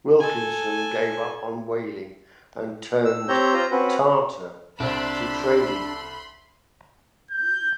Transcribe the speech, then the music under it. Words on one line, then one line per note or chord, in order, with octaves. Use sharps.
Wilkinson gave up on whaling and turned "Tartar" to trading.
A4 G#5
E6
C4 G4 C#5 A#5 E6 G6
F4 C5 A#5
C4 C#4 F#4 B4
C2 C4 D4 A4 B5 C6
G6